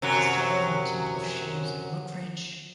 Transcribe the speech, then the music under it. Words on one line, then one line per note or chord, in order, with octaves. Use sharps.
It is found in the Temple of Shadows in Rookridge.
F#2 C3 F#3